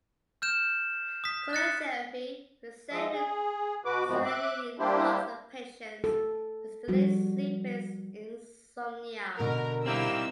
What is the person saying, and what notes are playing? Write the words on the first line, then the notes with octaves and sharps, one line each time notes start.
Chronotherapy: Resetting the circadian clocks of patients with delayed sleep phase insomnia.
F6 G6 E7
D#6 B6
F#6 A6 C#7
F3 G#3 D#5 E5
G#4
B2 F#4 B4 D6
G#2 C3 D#3 F3 B3 F#4
E5 D6 F#6
G3 A#3 D4 E4 G4 C5
A4
F3 G3 F#4
B2 D3 A#4
A#3 C4 D#4 E4 G4 E6